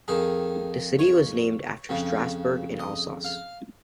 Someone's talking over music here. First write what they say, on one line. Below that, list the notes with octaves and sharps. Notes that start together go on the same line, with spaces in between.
The city was named after Strassburg, in Alsace.
F2 D#3 G#4
C#5
F2 C#3
D#5
F5